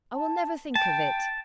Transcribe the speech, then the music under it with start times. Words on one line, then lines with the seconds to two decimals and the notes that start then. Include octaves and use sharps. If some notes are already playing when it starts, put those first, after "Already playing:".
I will never think of it.
0.13 A5
0.75 G5 A5